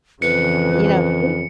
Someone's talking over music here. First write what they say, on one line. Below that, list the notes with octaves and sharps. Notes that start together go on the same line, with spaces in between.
you know, we
F2 C#3 E3 B4 C#7